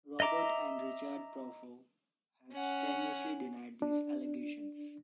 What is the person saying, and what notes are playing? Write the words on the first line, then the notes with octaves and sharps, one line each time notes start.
Robert and Richard Bropho have strenuously denied these allegations.
D#5 E5 A#5 D6
C#4 F#5
D4